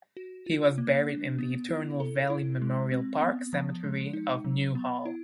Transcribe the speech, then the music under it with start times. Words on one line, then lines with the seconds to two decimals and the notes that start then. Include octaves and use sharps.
He was buried in the Eternal Valley Memorial Park Cemetery of Newhall.
0.17 F#4
0.46 F4
0.78 A#3
1.09 D4
1.38 B3
1.69 E4
2.00 A4
2.30 E4
2.62 G#3
2.92 C4
3.22 B3
3.53 F3
3.84 G#3
4.13 D#4
4.45 F#3
4.75 B3
5.05 E4